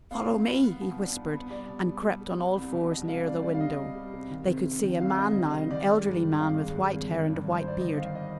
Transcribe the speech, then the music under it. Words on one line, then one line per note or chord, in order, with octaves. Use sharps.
"Follow me!" he whispered and crept on all fours nearer the window. They could see a man now, an elderly man with white hair and a white beard.
B3 F5
C2
B3
B3
B2
D4
B3
B3
G3 D5
B2
G3
G3
G3
B3
C2
B2
G3 D#5
C3 F5
G3 D5
G3 D5
F5
G3 D#5
G3
G3
C3
D#3
C3
C3
D#3
C2 F5
G3 D#5
D#3
C3 D#5
D#3 D5
G#3
G2
D#3
G#1 F5
G#3
G2
G#1
D#3
G2
G2
C5
G2 D5
G1 D#5
D#3 F5
D#5